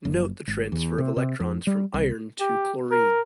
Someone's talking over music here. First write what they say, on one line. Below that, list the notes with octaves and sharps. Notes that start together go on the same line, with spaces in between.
Note the transfer of electrons from Fe to Cl.
F#1
G#1
E2
C3
C3
F2
G3
C2
G4
A#4